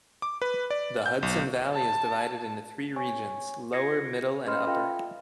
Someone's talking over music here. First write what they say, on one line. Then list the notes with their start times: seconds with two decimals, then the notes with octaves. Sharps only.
The Hudson Valley is divided into three regions: Lower, Middle, and Upper.
0.22 D6
0.42 B4
0.71 D5
1.06 G6
1.23 B1
1.73 A5
2.96 C#5 G#5 C#6
3.73 F4 G#6 A#6 C7 C#7
4.46 C#4 B4 D#5 B5 C6 F6
4.67 F4 A4 E5 F5 G5